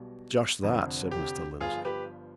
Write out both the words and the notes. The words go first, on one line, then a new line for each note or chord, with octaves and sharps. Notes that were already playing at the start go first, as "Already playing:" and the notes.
"Just that," said Mr. Lindsey.
Already playing: B1 B2 G3
F1 F2 D3
G4
G1 G2 F3 F4 G#4
G4 B4